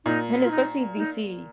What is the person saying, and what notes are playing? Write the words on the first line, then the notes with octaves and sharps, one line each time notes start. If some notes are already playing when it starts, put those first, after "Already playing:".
and especially DC
A#2 D#4
F4
D#4
D#4